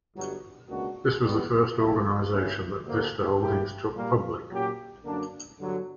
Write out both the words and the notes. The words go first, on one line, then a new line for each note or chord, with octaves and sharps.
This was the first organization that Vista Holdings took public.
G1 G2 F#3
C#2 B2 A#3 D4 F#4
E2 B2 G3 B3
A#1 A#2 F#3 A#3 E4
G2 D3 A#3 C#4 E4
D2 D3 A#3
G2 F#3 A#3 E4 G4
A#2 G3 A#3
A#2 F#3 A#3 C#4 G4
F#2 D3 A#3 D4
G1 G2 D3 F#3